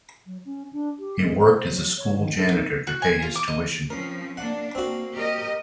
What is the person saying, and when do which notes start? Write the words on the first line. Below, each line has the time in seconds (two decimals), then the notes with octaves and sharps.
He worked as a school janitor to pay his tuition.
0.26 F#3
0.45 C#4
0.73 D4
0.99 G4
1.20 G#3
1.37 C5
1.69 F#3
1.97 C#5
2.18 D#3
2.35 D4
2.50 D#4
2.87 F#4
3.02 G#5
3.22 F4
3.35 D6
3.48 D#5
3.90 F3 C4 C#4 A#4
4.37 A#3 D4 F#5
4.75 A#3 C4 F#4
5.15 G4 A#4 D#5